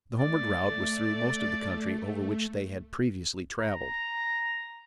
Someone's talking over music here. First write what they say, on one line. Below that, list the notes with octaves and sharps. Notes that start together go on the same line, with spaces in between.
The homeward route was through most of the country over which they had previously traveled.
A3 D5
A#5